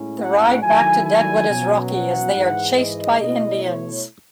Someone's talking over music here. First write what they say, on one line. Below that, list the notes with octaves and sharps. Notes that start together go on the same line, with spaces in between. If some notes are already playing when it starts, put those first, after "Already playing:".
The ride back to Deadwood is rocky, as they are chased by Indians.
Already playing: A2 G#3 C#4 E4
F#5
D#3 F#3 A3 E4 G#5
G#5
B2 F#3 C#4
F#5
G#2 E3 G#3
D#5
B2 A3 E4 D#5
C#5